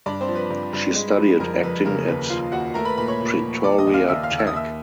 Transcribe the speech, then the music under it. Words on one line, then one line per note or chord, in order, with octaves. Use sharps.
She studied acting at Pretoria Tech.
G2 D4 D5
C4 C5
F3
B4
G2
G2
G#3
F3
F2 A#4
F2 B4
C#3 A#4
D#2 B4
F3 F4 F5
D#2 F#4 F#5
A3 A#4 A#5
B4 B5
A#2 B4 B5
C#5 C#6
A#2
F3
D#2 D5 D6
D#5 D#6
D#2
F5 F6
D#2 E5 E6
F5 F6
D#2
E6
D#6
D#2 E5 E6